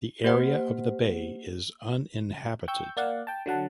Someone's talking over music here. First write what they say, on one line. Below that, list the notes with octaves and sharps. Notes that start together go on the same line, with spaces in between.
The area of the bay is uninhabited.
A#3 G4 C5 F#5
G5 C#6 E6 G6
A#3 D5 F5 F#5
G5 A5
D3 F#3 F#5 A5